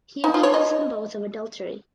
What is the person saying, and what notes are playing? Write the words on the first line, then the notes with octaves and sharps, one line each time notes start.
He accuses them both of adultery.
D#4
F4
C#5
D#5